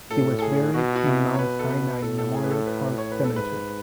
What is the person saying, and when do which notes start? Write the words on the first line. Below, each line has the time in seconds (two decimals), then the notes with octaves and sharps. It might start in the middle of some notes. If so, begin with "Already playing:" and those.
He was buried in Mount Sinai Memorial Park Cemetery.
0.10 A2 A4
0.39 A4
0.42 G#4
0.74 B2 F#4
0.96 F#4
1.06 E4
1.34 C#5
1.39 B2 B4
1.59 A4
1.70 B4
2.02 A2 A4
2.18 A4
2.35 G#4
2.44 B4
2.51 A4
2.67 B4
2.98 C#5
3.12 B4
3.24 A4
3.30 G#2
3.36 B4